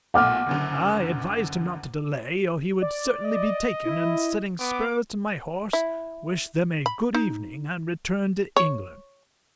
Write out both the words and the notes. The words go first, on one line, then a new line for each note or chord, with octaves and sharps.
I advised him not to delay, or he would certainly be taken, and setting spurs to my horse, wished them a good evening, and returned to England.
B1 A#2 A3 F#5 D6 F6
F#1 F#2 D3
D5
D#5
E4
B3 D6
E4
B5
D#4
C#5